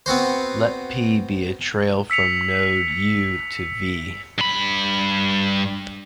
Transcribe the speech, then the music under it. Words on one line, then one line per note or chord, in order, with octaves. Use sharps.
Let "P" be a trail from node "u" to "v".
B3 C4 F#4 C5
E6 B6 C#7 F7
G2 B5